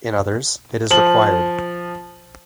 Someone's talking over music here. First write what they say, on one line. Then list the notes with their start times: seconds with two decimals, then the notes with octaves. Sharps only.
In others it is required.
0.91 F3 F#7